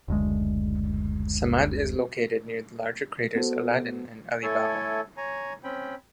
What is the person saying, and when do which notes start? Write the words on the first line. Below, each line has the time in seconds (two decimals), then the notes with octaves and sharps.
Samad is located near the larger craters Aladdin and Ali Baba.
0.08 F#1 D2 G#3
3.35 B3 F#4 A4 C5
4.43 A3 E4 A4 C#5 G#5
5.17 C#5 G#5 A#5
5.64 C4 C#4 G5 B5